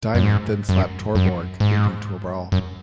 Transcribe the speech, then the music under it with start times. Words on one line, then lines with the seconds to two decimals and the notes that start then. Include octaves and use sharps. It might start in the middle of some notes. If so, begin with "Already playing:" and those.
Diamond then slapped Torborg, leading to a brawl.
0.15 F#2
0.24 G#2
0.69 F#2
1.15 F#2
1.60 G#2
2.52 F#2